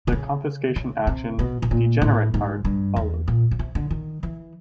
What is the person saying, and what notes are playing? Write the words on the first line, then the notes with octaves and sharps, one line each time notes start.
The confiscation action "Degenerate Art" followed.
C3
C#3
C#3
C3
B2
B2
A#2
A2
G#2
G2
E2
A#2
C#3
C3
D3
D#3
E3